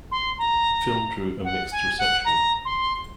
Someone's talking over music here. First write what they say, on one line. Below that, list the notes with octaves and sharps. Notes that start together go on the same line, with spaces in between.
The film drew a mixed reception.
C6
A#5
F#5
G#5
F#5
A#5
C6